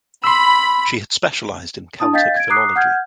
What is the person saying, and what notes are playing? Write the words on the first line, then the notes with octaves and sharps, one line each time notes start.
She had specialised in Celtic Philology.
B5 C6 E6
D4 E4 A5 D#6
D#5 F5 G5 G6 A6 B6
G#6 D7
A#5 D6 D#6 F#6 C7
F#5 F6 G6 G#6